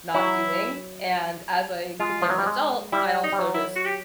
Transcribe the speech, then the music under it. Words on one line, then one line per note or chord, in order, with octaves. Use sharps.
not doing and as I became an adult, I also just
F#3 E4
G#3 F4
F3
F#3
G3
G#3
G3 E4
D#4
G3
F#3
E4
F#4
G4